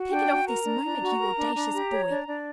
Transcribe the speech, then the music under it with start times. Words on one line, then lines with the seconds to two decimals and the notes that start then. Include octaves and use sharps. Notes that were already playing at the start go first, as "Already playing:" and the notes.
'Take it off this moment, you audacious boy!
Already playing: F#4
0.10 D4 G5
0.29 F#4
0.46 A#4 A#5
0.64 D4
0.82 D4
1.01 F#4
1.18 A#4
1.36 D4
1.54 D4
1.72 G4
1.91 C#5
2.08 D4
2.26 D4